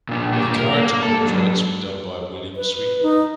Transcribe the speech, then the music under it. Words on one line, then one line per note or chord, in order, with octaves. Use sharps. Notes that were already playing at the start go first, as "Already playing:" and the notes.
The character portraits were done by William Sweetman.
A#2 D4
A#3 G4
A#4
A#3
A4
G#2 F#3
B4
D#4